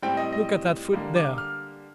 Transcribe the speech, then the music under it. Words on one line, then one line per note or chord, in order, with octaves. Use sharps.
Look at that foot there.
A2 G3 C4 G5
D#5
D#5
D3 G3 A#3
D6
F6